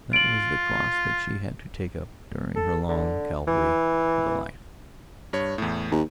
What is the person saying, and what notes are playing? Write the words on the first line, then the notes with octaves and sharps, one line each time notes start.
That was the cross that she had to take up during her long Calvary of a life....
F4 D7 F#7
A4
D3
E3
G2 C#5
E2 A2
D#2